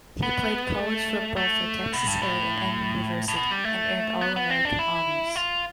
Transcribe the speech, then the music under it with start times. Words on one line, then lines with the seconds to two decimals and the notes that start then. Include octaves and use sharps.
He played college football for Texas A and M University, and earned All-American honors.
0.22 B3
0.80 A3
1.37 A3
1.93 B2
2.07 G2
2.22 A2
3.28 A2
3.36 B2
3.51 G3
3.64 A3
4.21 B3
4.36 B3
4.50 C4
4.65 D4
4.79 E4
5.36 F4